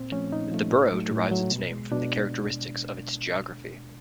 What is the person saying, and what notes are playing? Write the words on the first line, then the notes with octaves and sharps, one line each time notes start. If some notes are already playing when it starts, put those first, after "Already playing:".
The borough derives its name from the characteristics of its geography.
Already playing: A#2 C4
F3 A3 C#4
A#2 D#4
F3 A3
A2
F#3 A3
A2
F#3 A3
B2
G#3
B2 D4